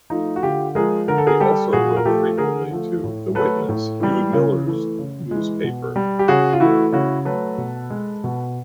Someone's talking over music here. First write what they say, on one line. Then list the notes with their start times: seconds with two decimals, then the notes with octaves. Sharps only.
He also wrote frequently to "The Witness", Hugh Miller's newspaper.
0.10 F3 A3 D#4 F4
0.36 F#4
0.43 D3 F4 G4
0.75 F3 G#3 G#4 A#4
1.08 D3 A#4
1.18 A4
1.26 G#4 A#4
1.40 G3 G4 A4
1.73 A#2 F#4 G#4
1.97 A#4
2.05 F3 A3 G4 A4
2.38 D3 G#4 A#4
2.71 F3 A3
3.04 A2
3.35 F#3 A3 A4 B4
3.69 A2
4.00 E3 G3
4.33 C#3
4.66 E3 A3
4.99 C#3
5.31 E3 G#3
5.64 B2
5.96 G3
6.19 G4
6.28 C#3 F#4 G#4
6.53 F4
6.60 E3 A3 E4 F#4
6.93 C#3 E4 F#4
7.25 F#3 A3 A4 B4
7.58 B2
7.90 G#3
8.24 B2